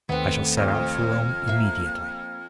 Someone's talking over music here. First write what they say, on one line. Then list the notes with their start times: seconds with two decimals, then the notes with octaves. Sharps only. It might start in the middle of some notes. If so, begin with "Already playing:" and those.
I shall set out for Rome immediately.
0.09 D#2 D#3 A3 B3 C4 B4
0.57 F2 F6
1.48 A#3 E5